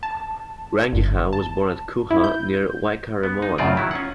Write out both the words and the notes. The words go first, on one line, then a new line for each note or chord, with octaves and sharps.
Rangihau was born at Kuha near Waikaremoana.
A5
G1
A5
E4
G6
B3
D#4
F#2 A2 C#3 C4 F4 D5
D#3 F#3 E4
C#4 F4 F#5